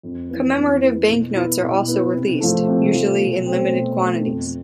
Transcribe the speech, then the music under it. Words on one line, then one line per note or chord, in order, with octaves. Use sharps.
Commemorative banknotes are also released, usually in limited quantities.
F2
E3 B3
F2
E3 B3
B2
B3 E4
B2
B3 E4
C3
F3 A3
C3
F3 A3
B2
A3 C4
B2
A3 C4
F2